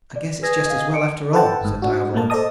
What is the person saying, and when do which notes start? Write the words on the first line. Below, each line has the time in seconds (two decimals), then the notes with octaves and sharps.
"I guess it's just as well after all," said Diavolo.
0.16 D5
0.43 G#4 B4 G#5 A#6
0.66 D#5 F5
0.94 C#7 D7
1.33 A4 B4 F#5 G5 A5
1.61 G1 G#2
1.82 D4 F#4
2.14 A#2 A3 A#3 A5
2.30 A4 C5 D5 D#5 A5 D#6